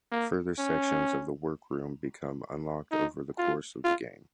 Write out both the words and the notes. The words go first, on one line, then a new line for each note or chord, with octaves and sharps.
Further sections of the workroom become unlocked over the course of the game.
A#3
C#4
D#4
F4
F4